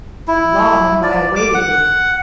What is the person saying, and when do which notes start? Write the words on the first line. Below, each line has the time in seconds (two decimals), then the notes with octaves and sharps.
Long have I awaited thee!'
0.28 E4
1.03 D5
1.36 D6
1.54 F#5